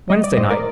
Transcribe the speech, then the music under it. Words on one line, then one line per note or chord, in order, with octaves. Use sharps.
Wednesday night?
G3 D#5
D5
A2 C5 D#5
A#4 D5